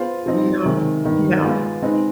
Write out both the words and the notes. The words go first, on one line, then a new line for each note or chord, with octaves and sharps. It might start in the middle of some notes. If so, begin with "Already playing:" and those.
No, no.
Already playing: B3 F4 G#4 C5 F5
F3 C4 D#4
C3 D#3 G#3
G2 D#3 B3
G#3 B3 F4
G#3 C4 D#4 B4